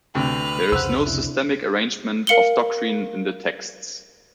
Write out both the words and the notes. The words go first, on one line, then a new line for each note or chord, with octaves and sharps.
There is no systematic arrangement of doctrine in the texts.
D2 C3 B4 G5 F6
C2 F2 C#3 C5 F#5 E6 F#6
C3 D4 E4
A#4 F5 C#7 F#7 G7